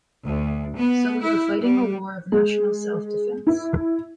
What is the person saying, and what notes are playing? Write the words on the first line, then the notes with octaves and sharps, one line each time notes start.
So we were fighting a war of national self-defence.
D2
B3
E4
G3
G#3
E4